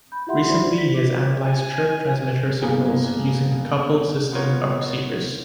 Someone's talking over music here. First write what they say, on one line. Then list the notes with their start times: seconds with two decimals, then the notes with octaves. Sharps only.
Recently he has analyzed Chirp Transmitter signals using the coupled system of receivers.
0.12 B5 G6
0.27 E4 F4 G4 E5 F#5 C6
0.48 F#4 C5 D5 B5 C6
0.78 B6
0.94 F4 F#4 D6
1.41 G#5
2.62 G2 A#3 B3 G#4 A4 G#5
4.32 B3 F4 A#4 C#5